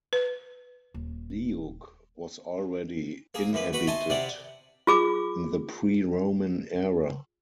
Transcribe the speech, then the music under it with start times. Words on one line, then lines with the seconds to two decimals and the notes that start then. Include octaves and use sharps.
Leuk was already inhabited in the pre-Roman era.
0.13 B4
0.94 D#1
3.34 A#3 G#4
3.53 F#2 A#3 B4
3.73 F#4 B4 B5 C#6
3.87 D#5 E5 G#5 A5 C6 C#6
4.10 C3 C4 E4 D5 F#5
4.87 F4 G#4 D6